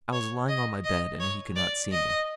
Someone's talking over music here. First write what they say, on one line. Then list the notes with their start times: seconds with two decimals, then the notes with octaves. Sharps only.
I was lying on my bed, and he could not see me.
0.13 C#5
0.48 D#5
0.84 D#5
1.20 C#5
1.56 D5
1.91 D#5